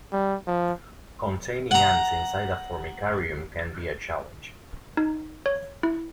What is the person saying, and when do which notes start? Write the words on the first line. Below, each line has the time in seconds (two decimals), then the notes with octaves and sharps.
Containing ants inside a formicarium can be a challenge.
0.12 G3
0.47 F3
1.71 F#5 A#5
4.97 D#4
5.46 C#5
5.83 E4